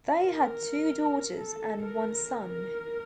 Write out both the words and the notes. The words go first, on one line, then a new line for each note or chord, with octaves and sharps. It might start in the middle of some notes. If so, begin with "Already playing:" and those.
They had two daughters and one son.
A#4
A4
A#4
A#4